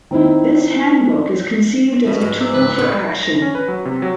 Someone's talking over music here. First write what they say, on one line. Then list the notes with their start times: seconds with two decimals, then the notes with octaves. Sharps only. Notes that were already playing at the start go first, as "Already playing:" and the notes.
This Handbook is conceived as a tool for action.
0.11 D#3 C4 D#4 E4
2.06 B2 F3
2.21 G#2
2.40 F#3 D5 E5
2.54 A1 C#3 F3 B4
2.79 A2 F#5
3.23 A#6
3.42 C#4
3.55 B4
3.68 F#3
3.85 C3
4.02 F#3